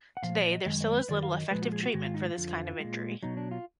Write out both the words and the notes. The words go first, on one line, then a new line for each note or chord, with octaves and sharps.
Today, there still is little effective treatment for this kind of injury.
F#5
A#2 F3 F5
D5
D#5
F#2 D#3 G#3 D#5
D#5
D5
B4
F#2 D#3 F#3 D5
F5
D#5
A#2 F3 G#3 B4
F#4
G#4
F#4
G#2 D#3 G#3 F#4
F4
D#4
F4
F2 D3 F3
A#2 G#3
B2 F#3 D#4
D4
F4